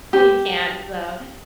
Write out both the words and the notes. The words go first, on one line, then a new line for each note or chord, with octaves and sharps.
and you can't, so,
G4